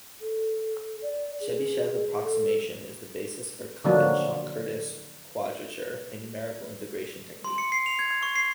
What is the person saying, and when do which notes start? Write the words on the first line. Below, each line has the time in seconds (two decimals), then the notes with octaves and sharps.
Chebyshev approximation is the basis for Clenshaw-Curtis quadrature, a numerical integration technique.
0.21 A4
1.02 D5
1.40 G#4
2.24 A4
3.85 D3 F3 F#3 A#3 D4
7.44 C6
7.58 C#7
7.72 C7
7.86 F7
7.99 G#6
8.23 C#6
8.35 C7